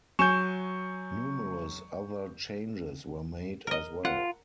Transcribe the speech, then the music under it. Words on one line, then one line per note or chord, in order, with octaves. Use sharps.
Numerous other changes were made as well.
F#3 G#5 C#6 G6 E7
A#4 D#5
F4 F#5